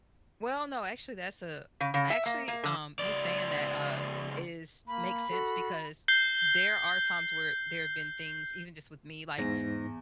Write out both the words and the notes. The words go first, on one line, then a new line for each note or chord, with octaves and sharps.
Well, no, actually that's a actually, um, you saying that, um, is makes sense because there are times where there have been things, even just with me, like
C#3
C#3
E5
A#3
A#3
D3
C#2 D5
A#3 B5
F#4 A4
G6 C7 G7
E2 G#2 A#6